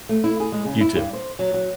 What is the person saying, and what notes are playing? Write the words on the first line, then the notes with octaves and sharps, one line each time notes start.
You too.
A3
E4
G#4
G#3
C#3
E4
G2
C5
F#3
F#3